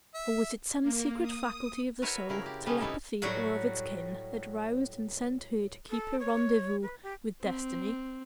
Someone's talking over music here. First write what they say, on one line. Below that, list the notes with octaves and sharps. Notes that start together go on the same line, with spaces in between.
Or was it some secret faculty of the soul, telepathy or of its kin, that roused and sent her to keep her rendezvous with destiny?
E5
A#3
D#6
F#4 A#4 B4 C#5 E5
C#3 E4 A#4
G4
C3 G3 A3 B3 C#4
B3 D#4 E4 A4 A#4
A2 F#3 G3 F#4
A4
C#5
B4
G4
C4